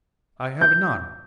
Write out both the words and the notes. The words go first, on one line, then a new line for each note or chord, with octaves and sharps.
"I have none."
G6